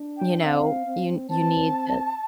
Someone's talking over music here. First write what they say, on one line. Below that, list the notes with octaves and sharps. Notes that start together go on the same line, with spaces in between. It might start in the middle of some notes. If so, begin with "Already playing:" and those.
You know? You you need to
Already playing: D4
G5
E5
C4 F5
C4
C4 A5